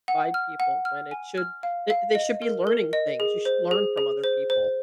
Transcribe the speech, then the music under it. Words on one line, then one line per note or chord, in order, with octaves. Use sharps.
divide people when it should they they should be learning things. You should learn from other people,
F#5
F6
F#5
F6
G#5
F6
F5
F5
D#5
A#4
A#4
D#5
G#4
C5
G#4
G#4
C5
C5